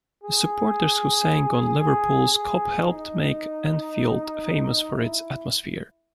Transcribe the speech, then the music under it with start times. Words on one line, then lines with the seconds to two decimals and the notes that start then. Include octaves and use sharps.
The supporters who sang on Liverpool's Kop helped make Anfield famous for its atmosphere.
0.24 G#4
1.80 G#4
2.32 G#4
2.85 D#4
4.94 E4